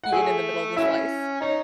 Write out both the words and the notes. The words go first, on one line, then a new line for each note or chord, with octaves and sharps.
eaten in the middle of the slice.
F#5
A3 G#4 G#5
F#3 A3 C#4 E4 E5
D#4 C#5